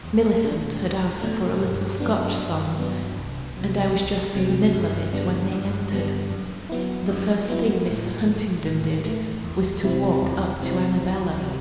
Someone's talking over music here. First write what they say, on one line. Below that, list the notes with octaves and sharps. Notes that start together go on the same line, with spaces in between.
Milicent had asked for a little Scotch song, and I was just in the middle of it when they entered. The first thing Mr. Huntingdon did was to walk up to Annabella.
E2
B2 A3 D4
E2
B2 A3 D4
G2
F#3 B3 D4
G2
F#3 B3 D4
C2
C3 F#3
C2
C3 F#3
G2
D3 G3 B3 D4
G2
D3 G3 B3 D4
F#2
F#3 B3 E4
F#2
F#3 B3 E4
A2
E3 A3
A2
E3 A3
E2
C3 G3 C4 E4
E2
C3 G3 C4 E4
D2
C3 G3